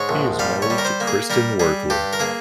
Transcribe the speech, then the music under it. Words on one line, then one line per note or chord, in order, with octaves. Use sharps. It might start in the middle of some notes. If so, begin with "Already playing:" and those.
He is married to Kristin Wurgler.
Already playing: G#2 C#5
A#1
G3 F5
C#5
G3
A#4
C5
A#3
G#4
G3 A#4
G3 G#4
G2 G4
A#4
A#3 G#4